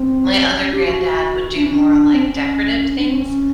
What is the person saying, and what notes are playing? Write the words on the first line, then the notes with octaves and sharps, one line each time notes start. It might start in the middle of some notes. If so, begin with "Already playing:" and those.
My other granddad would do more, like, decorative things.
Already playing: C4
C#4
G4
F#4
D4
C#4
D4
C4
C#4
D4
C4
C#4